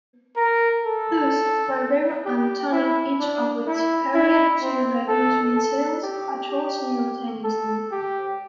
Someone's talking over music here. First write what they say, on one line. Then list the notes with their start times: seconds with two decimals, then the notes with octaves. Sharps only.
Thus, "Barbero" and "Tunny", each of which carried two Regulus missiles, patrolled simultaneously.
0.37 A#4
0.84 A4
2.25 G4
2.73 E4
3.20 D4
3.67 E4
4.14 E4
4.62 C4
5.09 A4
5.56 A4
6.02 G4
6.50 G4
7.44 A4
7.92 G4